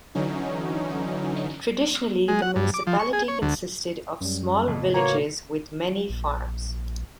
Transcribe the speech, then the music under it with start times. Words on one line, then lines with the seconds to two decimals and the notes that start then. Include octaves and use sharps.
Traditionally the municipality consisted of small villages with many farms.
0.15 D3 E3 F#3 C#4 D#4
2.28 G#3
2.42 F#5
2.56 G2
2.74 D6
2.87 F3
2.99 C#6
3.13 G#4
3.28 C#5
3.42 D2
4.21 F#2 G3
4.68 F2 A2 C#3
4.94 A#3 F#4 B4 C#5 A#5
6.10 A#1